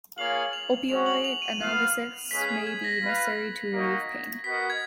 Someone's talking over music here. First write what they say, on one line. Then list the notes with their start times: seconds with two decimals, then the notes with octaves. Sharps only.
Opioid analgesics may be necessary to relieve pain.
0.17 A#3 F4 G#4 C#5 F5 F#7
0.53 F7
0.88 G#3 C#4 F#4 F7
1.06 F#7
1.24 F7
1.42 D#7
1.59 B3 F4 B4 F5
2.30 G#3 C#4 G#4 B4 F5 B6
2.49 G#6
2.67 G#6
2.84 A#6
3.01 F4 B4 F5
3.73 A#3 D#4 F#4
4.44 B3 F#4 A#4 D#5 F#5 B6
4.70 G#6